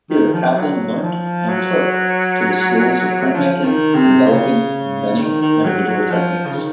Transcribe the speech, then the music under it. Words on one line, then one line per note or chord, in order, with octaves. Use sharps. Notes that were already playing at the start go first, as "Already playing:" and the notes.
Here Kaplan learnt and took to the skills of printmaking, developing many individual techniques.
D#3
F3
F#3
D#3
F3
F#3
F3
D#3
C3
C#3
D#3
D#3
F#3
F#3
F3
C#3
D#3